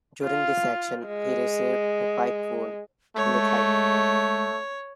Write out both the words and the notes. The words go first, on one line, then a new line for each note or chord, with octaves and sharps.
During this action, he received a pike wound in the thigh.
F4
G#3
G#3 A3 C#5